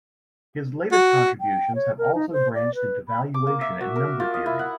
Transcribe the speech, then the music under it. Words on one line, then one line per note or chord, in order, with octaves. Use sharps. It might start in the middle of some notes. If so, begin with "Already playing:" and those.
His latest contributions have also branched into valuation and number theory.
F#4
G5
C#5
A#4
D#4
C5
D5
B4
B5
D6
A#3
E5
F#4
A#4
F4
D#5
E4
F#5